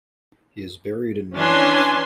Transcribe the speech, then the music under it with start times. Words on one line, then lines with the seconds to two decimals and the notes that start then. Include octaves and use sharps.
He is buried in Niles.
1.35 E3 C#4 D4 G#5 C6